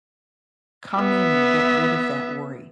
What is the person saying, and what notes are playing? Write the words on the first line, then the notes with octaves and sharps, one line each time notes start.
Come in and get rid of that worry."
B3 E5